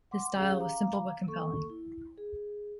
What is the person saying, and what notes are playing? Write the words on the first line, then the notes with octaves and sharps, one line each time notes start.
His style was simple but compelling.
F#5 C6 D6
C#4 G4 G#4 F5
F5 A#5 D6
A#3 A4 C#6
E4
G#4